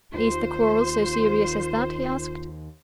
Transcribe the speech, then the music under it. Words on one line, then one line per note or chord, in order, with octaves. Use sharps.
"Is the quarrel so serious as that?" he asked.
D#2 F4 C5